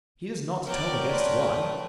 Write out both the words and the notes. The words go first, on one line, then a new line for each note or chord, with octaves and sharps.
He does not tell the guests why.
B3 A#4 C#5 D5 G5
A3 B4 D5 C6